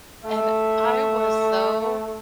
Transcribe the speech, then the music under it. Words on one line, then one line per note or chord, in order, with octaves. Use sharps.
and I was so
A3 E5